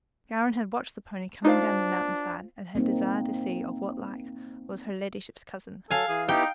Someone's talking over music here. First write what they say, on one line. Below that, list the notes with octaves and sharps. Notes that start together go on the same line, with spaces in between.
Gowran had watched the pony coming down the mountain-side, and had desired to see of what like was "her leddyship's" cousin.
D4 D#4 F4 C5 F5
A#3 C4 D#4
F#3 A4 F5 G#5
E3 G#4
B3 D#4 E4 G4 G5